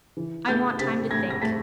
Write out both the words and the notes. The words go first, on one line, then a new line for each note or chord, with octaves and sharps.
"I want time to think."
E3
A3 G6 A6
C3 A6 B6
A3 G#6 A#6
A#6
A3 A6 B6